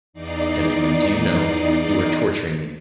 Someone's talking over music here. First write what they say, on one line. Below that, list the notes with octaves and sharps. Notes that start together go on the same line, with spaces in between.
Gentlemen, do you know, you are torturing me!
E2 D#4 D5 C7